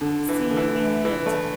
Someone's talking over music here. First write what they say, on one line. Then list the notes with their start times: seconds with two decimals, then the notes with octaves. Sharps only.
seeing it,"
0.01 D3
0.29 E3
0.51 D3
0.57 E3
1.05 E3
1.26 A3